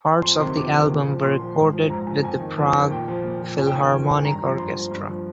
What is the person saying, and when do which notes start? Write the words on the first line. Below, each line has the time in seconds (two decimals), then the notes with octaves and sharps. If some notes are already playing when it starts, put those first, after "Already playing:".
Parts of the album were recorded with the Prague Philharmonic Orchestra.
0.22 F2 C6
0.39 C3 D#3 C6
0.57 F2 D6
0.73 C3 D#3
0.90 A#2
1.06 F3
1.23 A#2 C6
1.40 F3
1.57 G#2
1.73 F3
1.90 G#2 A#5
2.07 F3 G#5
2.23 F2 G#5
2.40 D#3
2.58 F2
2.74 D#3
2.91 A#2 G5
3.08 F3
3.24 A#2
3.41 F3
3.58 F2 G#5
3.67 G5
3.74 D#3 G#5
3.91 F2
4.08 D#3
4.19 G#5
4.24 G2 A#5
4.42 F3
4.59 G2 C6
4.76 F3
4.91 G2
5.09 F3